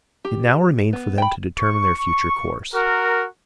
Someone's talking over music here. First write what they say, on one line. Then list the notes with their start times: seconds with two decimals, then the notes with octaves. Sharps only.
It now remained for them to determine their future course.
0.25 G4
0.93 B3
1.18 G5 B5
1.59 C#6
2.74 F#4 A#4